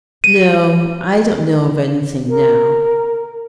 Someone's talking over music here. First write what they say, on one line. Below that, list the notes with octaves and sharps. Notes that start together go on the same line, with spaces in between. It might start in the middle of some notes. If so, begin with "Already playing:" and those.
"No, I don't know of anything now."
D#7
A#4